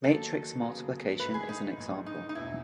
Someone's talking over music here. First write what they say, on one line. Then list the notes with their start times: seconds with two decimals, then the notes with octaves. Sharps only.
Matrix multiplication is an example.
0.03 D#2 D#3 F#3 A4
0.61 D#2 C#3 F#3 B3
1.19 G#2 D#3 A3 E4 B4
1.34 G#4
1.49 D#4
1.78 A1 A2 G#3
2.06 D#4
2.29 D#4
2.35 E1 E2 B2 E4